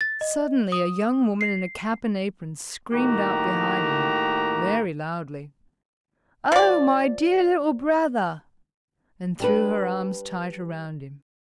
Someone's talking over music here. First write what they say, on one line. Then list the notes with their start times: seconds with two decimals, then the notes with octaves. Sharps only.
Suddenly a young woman in a cap and apron screamed out behind him very loudly: "Oh, my dear little brother!" and threw her arms tight around him.
0.01 A6
0.21 D#5
0.72 D#6
1.41 C7
2.92 A2 D#3 A#3 F#4 G4 A#5
6.52 F3 D5
9.40 G3 D4 B4